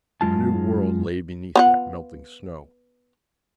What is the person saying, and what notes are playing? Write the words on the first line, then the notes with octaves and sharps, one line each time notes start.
A new world lay beneath that melting snow.
F#2 D#3 G#3 F4 A5
B3 F4 F#5